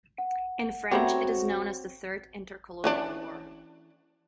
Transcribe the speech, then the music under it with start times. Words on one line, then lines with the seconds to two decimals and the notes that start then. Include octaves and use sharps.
In French, it is known as the Third Intercolonial War.
0.18 F#5
0.91 A3 B3 C4 F#4 G4 C#5 A#5
2.84 E3 C#4 D4